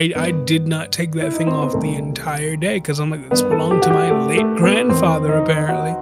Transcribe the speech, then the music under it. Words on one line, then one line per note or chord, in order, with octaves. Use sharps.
I I did not take that thing off the entire day 'cause I'm like, "This belonged to my late grandfather, apparently."
G2 D#3 B3
E4
D#4
C4
B3
C2 C3 D#3 A3
G2 D#3 B3
A4
G4
F#4
G4
A3
A3
B3
E2 D#3 C4
D#4
F#4